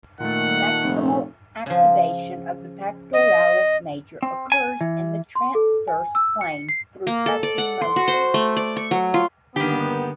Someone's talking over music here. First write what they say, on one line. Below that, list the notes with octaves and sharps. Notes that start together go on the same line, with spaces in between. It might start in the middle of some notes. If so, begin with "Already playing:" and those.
Maximal activation of the pectoralis major occurs in the transverse plane through pressing motions.
A#2 D#3 A3 F#5
F1
C#3 F3
D#5
C4
G#5
E3
C6
A4
G#5
E6
C#7
C7
A#3
A4
D5
F#5
C6
F#4
C5
A3
D5
C#6
F#3
F4
G2 D3 D#3 A#3 B3 G4